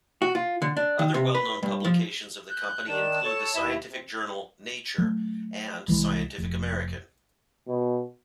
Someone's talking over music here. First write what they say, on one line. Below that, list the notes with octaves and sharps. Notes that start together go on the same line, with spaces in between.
Other well-known publications of the company include the scientific journal "Nature" and "Scientific American".
F#4
F4
D3
D4
D#3
C3
B4
G2
F3
F#6 G6
D#3 D4 E7
A4 C#5 A5
D#2 E4 E5
C3
F#3 A3
C2 E3 G#3
F1
B2